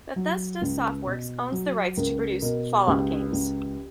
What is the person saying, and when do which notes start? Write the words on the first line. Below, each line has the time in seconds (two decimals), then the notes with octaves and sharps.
Bethesda Softworks owns the rights to produce "Fallout" games.
0.16 F#3
0.62 C#2
1.07 B2
1.52 F#3
1.97 C#2 A#4
2.42 B2 A#4
2.87 C#2 G4
3.32 C#2